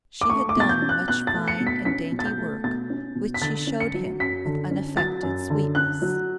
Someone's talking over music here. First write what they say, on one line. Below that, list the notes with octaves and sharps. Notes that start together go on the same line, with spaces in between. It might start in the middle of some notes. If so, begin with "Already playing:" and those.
She had done much fine and dainty work which she showed him with unaffected sweetness.
D6
A3 C#6
D6
B2 A6
G6
C#4
F#6
B2 F#6
A6
A3
C#7
B2
B6
C#4 B6
B2
A6
G6
A3
B2 A6
C#4
B2
B6
D3 A6
C#4
C#7
F#3
F#2 B6
D3
C#4
F#3 A6
F#2
D3
C#4 F#6
F#3